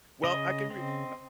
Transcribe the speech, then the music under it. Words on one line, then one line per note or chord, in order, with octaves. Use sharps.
Well, I can re uh
C#3 D#5
C4